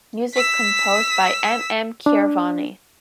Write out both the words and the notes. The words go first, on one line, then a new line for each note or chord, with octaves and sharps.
Music composed by M. M. Keeravani.
E6 B6
D4